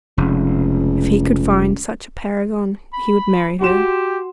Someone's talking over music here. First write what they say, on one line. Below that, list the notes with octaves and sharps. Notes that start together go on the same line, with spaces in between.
If he could find such a paragon he would marry her.
F1 C#2
B5
F#4 G4 C6 E7